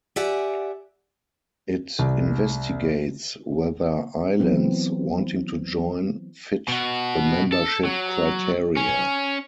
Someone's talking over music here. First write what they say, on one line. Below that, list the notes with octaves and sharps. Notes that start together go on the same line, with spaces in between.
It investigates whether islands wanting to join fit the membership criteria.
G4 D5 E5 F#5 G#5
C2
E3 F#3 B3 C4 F4
B2 F#4
A4
F#3
C#4